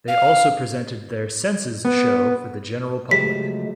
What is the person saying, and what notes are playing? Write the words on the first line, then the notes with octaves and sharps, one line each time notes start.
They also presented their Senses show for the general public.
F5
B3
C#3 F3 F#3 G#3 A3 G4 B6